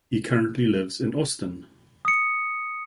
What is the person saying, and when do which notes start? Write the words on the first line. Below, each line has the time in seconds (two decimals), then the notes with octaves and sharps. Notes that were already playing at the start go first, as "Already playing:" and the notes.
He currently lives in Austin.
2.05 D#6 C#7